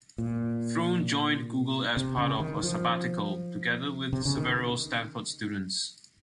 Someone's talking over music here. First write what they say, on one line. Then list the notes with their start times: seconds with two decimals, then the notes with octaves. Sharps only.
Thrun joined Google as part of a sabbatical, together with several Stanford students.
0.18 A#2
1.97 C3
2.18 C#3
2.40 D#3
2.63 F3
4.13 C3
4.25 C#3
4.37 D#3